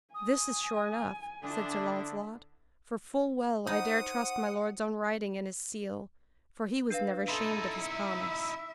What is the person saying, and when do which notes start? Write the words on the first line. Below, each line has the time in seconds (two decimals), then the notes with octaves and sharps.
This is sure enough, said Sir Launcelot, for full well I dare trust my lord's own writing and his seal, for he was never shamed of his promise.
0.14 G#5 D#6
1.43 D3 D4 E4 D#6
3.67 D#4 C5 F#5 G#5 B5 D#6
6.90 D4 B4 F5
7.28 D#4 E4 A4 C6
7.82 E5 C#7